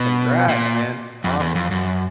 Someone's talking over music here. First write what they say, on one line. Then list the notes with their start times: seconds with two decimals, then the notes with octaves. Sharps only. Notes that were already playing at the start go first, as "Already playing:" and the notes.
Congrats, man. Awesome.
Already playing: B2
0.49 A#2
1.24 F2
1.40 E2
1.55 F2
1.71 F#2